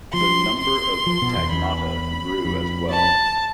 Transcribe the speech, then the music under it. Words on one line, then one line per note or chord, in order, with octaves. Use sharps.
The number of tagmata grew as well.
F3 C6
C6
F3
B2
E2
E2 B5
F2
A5